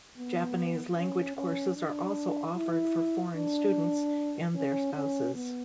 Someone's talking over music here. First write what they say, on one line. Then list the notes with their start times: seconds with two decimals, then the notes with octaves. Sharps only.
Japanese language courses are also offered for foreign students and their spouses.
0.18 B3
0.97 C#4
1.36 C#4
1.76 D4
2.56 E4
3.36 D4
4.55 C#4
4.94 C#4
5.34 B3